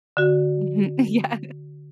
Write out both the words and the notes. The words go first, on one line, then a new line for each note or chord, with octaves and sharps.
Mhm, yeah.
D3 F#4